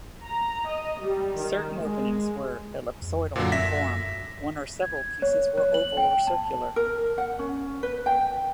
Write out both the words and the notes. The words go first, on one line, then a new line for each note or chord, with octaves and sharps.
Certain openings were ellipsoidal in form, one or several pieces were oval or circular.
A#5
D#5
G3
D#3
G#3
F2
F#2 A#2 D3 F#3
E5 A#6 B6
G#6
C#5
C#5
F#7
G5
A5
A#4
F#5
C#4
B4
G5